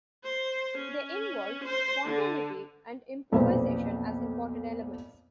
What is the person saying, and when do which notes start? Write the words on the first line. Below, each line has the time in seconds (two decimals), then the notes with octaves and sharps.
They involve spontaneity and improvisation as important elements.
0.24 C5
0.77 C#4
1.64 C5
2.04 D3
3.32 B1 F2 A#2 D#4 B4 C5